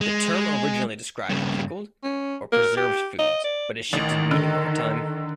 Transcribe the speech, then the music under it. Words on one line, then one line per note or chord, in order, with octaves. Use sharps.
The term originally described pickled or preserved foods, but has shifted meaning over time.
G#3
G2 C#3
C#4
A#4
G4
D#5
D5
A1 D#3
D3